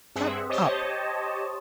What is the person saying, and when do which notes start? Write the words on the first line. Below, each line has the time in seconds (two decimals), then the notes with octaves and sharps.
"Shut up!"
0.15 G2 C4 G#4 E5 F#5
0.49 G4 C5 C#5 D#5 A5